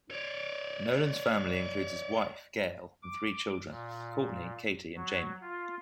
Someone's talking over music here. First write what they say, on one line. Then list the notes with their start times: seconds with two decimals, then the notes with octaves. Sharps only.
Nolan's family includes his wife, Gail, and three children, Courtney, Katie and Jamie.
0.11 C#5 D5
3.03 D6
3.70 A#2
4.96 F#3
5.41 F4